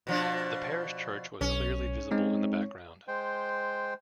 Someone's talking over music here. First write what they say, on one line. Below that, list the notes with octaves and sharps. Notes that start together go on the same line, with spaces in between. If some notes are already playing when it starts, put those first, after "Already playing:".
The parish church was clearly visible in the background.
B2 F3 D4
B1 C#4
G#3 C4 D#4
G#3 C5 G5